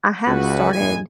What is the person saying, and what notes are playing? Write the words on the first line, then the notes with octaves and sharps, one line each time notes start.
I have started
C#2 F#4 B4
A#1 E2 A2 E3 G#3 G#5